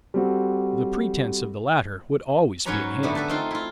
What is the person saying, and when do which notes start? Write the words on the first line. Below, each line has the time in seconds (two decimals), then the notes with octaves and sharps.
The pretense of the latter would always be at hand.
0.14 G3 C4 F#4 A4
2.66 G#2 F#3 C#4 B4 C#5 A#5
3.03 D3 G3 A3 B3
3.15 A4 B4 E5 A5
3.29 C4 D#4 F4
3.51 E4 F4